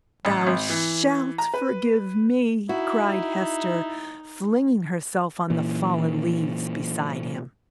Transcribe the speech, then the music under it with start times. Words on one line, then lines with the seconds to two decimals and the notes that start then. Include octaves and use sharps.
"Thou shalt forgive me!" cried Hester, flinging herself on the fallen leaves beside him.
0.25 A1
0.47 G#1
0.70 E3
1.38 A#5
1.54 B4
2.69 D#4 E4 F#4
5.50 A#2 E3